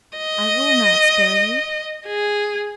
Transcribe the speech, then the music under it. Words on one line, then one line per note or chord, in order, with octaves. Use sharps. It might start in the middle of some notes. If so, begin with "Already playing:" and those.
I will not spare you.
D#5
G#4